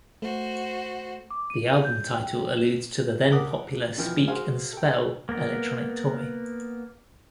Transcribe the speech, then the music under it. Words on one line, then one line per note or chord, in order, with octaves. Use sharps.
The album title alludes to the then-popular "Speak and Spell" electronic toy.
A3 F#4 C5
D6
D#7
G6
G5
E7
G4 A4 A#4 F#5 D6 D#6
B2 D3 E3 F3 G5 F6
F#4 G#4 C5 F5 G#5
A4 G5
A#3 B3 A#4